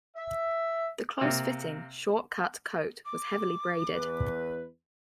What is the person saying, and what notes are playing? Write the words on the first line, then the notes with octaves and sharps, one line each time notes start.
The close fitting, short-cut coat was heavily braided.
E5
C3 A#3
D6
E2 B4